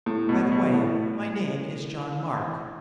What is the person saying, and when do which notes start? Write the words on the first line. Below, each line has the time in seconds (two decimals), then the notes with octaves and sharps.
"By the way, my name is John Mark."
0.06 A2
0.29 B2
0.52 B2
0.74 A2